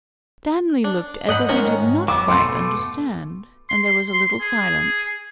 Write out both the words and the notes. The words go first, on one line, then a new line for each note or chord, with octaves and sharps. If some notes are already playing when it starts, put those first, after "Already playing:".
Stanley looked as if he did not quite understand, and there was a little silence.
D4
G#2 D#5 F#5 B5
D#3 C#4 A#4
F#3 B3 D6
B2 A3 C6
C6
G#4